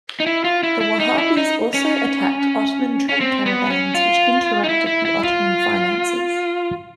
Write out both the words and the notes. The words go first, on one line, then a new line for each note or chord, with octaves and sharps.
The Wahhabis also attacked Ottoman trade caravans which interrupted the Ottoman finances.
D#4
E4
F4
E4
E4
D#4
E4
D#4
C#4
C#4
C4
B3
C#4
F4
D#4
E4
E4
E4
F4